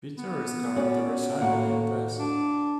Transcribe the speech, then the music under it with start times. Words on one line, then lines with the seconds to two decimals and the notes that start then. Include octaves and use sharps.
Peter is currently residing in Perth.
0.18 B3
0.76 C#4 F#4 D5
1.41 D#2 A2 A#3 F#5
2.19 D4